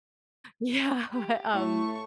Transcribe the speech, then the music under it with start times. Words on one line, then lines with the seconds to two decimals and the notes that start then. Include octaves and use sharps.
yeah, but, um
1.13 G4
1.53 A2 A3 C#6